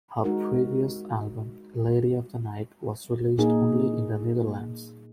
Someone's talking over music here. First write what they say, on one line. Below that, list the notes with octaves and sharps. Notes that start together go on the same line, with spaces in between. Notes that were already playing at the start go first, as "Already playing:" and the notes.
Her previous album "Lady of the Night" was released only in the Netherlands.
G#3 D#4 F#4 A#4
A#2 A#3 D#4 G#4